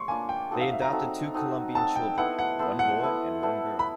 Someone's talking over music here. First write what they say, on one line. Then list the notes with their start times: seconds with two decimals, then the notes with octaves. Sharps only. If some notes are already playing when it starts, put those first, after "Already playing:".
They adopted two Colombian children, one boy and one girl.
Already playing: C6 C#6
0.08 A#3 D4 F4 G#5
0.29 G5
0.51 C4 D#4 F#4 A4
0.61 F5
0.72 E5
0.82 A#5
0.92 C4 D#4 F#4 A4
1.34 C4 D#4 F#4 A4
1.75 C4 D#4 F#4 A4 A5
1.96 G5
2.17 B3 E4 A4 C5 F#5
2.39 F#5
2.59 B3 E4 A4 C5
2.79 F#5
3.01 B3 E4 A4 C5
3.42 B3 E4 A4 C5
3.79 B5